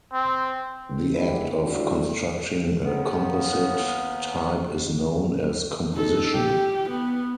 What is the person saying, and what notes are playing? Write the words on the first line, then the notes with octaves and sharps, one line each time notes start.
The act of constructing a composite type is known as composition.
C4
D3 G#3 A3 B3 E4 G4
D2 D3 G3 E4 F#4 A4
D#2 B3
D#4 A4
G4
B3